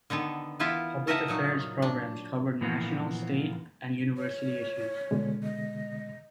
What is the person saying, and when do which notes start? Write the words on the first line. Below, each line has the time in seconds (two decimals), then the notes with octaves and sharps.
Public Affairs programs covered national, state and University issues.
0.10 D3 D#3 B3 A4
0.60 E3 B3 E4 F4 E5
1.07 A4 A#4 D#5 E5 F#5 A5
1.28 A#2 F#3 D#4
1.82 D4
2.61 A#2 E3 F3 A#3 B3
4.18 C#5
5.11 B2 D3 G#3
5.43 D#5